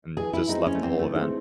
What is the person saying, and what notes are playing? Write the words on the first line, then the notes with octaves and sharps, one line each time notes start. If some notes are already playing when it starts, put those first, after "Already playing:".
and just left the whole event.
E3 G#4
E4
G#3 C4 D#4
C#4
A3
E3 C4
A3
G#3 A3 C4